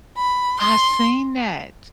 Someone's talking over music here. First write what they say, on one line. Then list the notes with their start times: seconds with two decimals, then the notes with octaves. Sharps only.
I seen that.
0.17 B5
0.60 C6